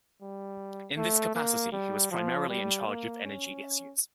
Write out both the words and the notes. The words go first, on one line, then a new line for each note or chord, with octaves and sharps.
In this capacity, he was primarily in charge of energy issues.
G3
A3
A#3
G3
F3
G3
A#3
C#4